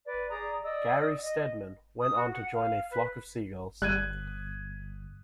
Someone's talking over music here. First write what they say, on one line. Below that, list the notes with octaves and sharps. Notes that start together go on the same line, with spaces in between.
Gary Steadman went on to join A Flock of Seagulls.
B4 D5
G#4 D5 A#5 D#6
D5 D#5 D#6 E6
D#5
D#6
F#4
F#5
F5
B4
G1 G3 F#6 G#6 D#7